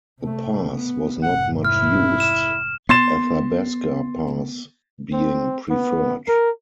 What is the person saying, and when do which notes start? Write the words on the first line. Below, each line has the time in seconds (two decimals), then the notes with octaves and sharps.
The pass was not much used, Athabasca Pass being preferred.
0.19 C3 A3
0.70 B3
1.23 F1 G#2 F#5
1.65 E4 F6
2.20 E7
2.89 B3 C6 A6 E7
5.13 C4
5.70 B3
6.28 A#4